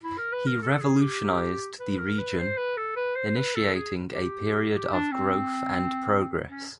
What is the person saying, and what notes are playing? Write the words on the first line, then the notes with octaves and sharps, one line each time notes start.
He revolutionized the region, initiating a period of growth and progress.
E4
A#4
B4
A#4
A4
G#4
G4
B4
A#4
B4
C5
B4
A4
B4
C5
B4
A4
G#4
G4
G4
D4
C4
C#4